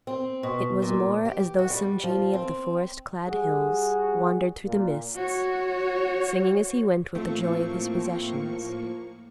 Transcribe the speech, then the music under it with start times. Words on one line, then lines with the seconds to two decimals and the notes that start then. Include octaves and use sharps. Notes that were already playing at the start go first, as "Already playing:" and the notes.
It was more as though some genie of the forest-clad hills wandered through the mists, singing as he went with the joy of his possessions.
0.07 C4
0.43 B2
0.82 A#2
1.25 G4
1.59 F#4
1.70 G3
2.04 F3
2.33 C4
3.27 G3 F#4 G#4
4.64 A#2
5.15 F#4 C#5
7.15 A2 F3 A3 A#3 C4 C#6